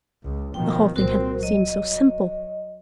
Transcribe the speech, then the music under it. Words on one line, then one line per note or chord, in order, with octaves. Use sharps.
The whole thing had seemed so simple.
C#2
B2 D#3 F3 G5
C2 A#2 C4 F#4 A#4 C5
F#3 D#5